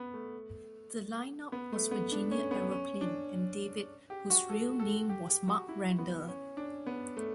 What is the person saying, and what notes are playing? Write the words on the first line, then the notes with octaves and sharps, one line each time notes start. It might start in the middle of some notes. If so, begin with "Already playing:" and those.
The line-up was "Virginia Aeroplane" and "David", whose real name was Mark Randall.
Already playing: B3
A3
B3
A3
B3
D4
C#4
B3
C#4
D4
G4
F#4
A4
A4
G4
G4
F#4
E4
B3
C#4
D4
B3
A3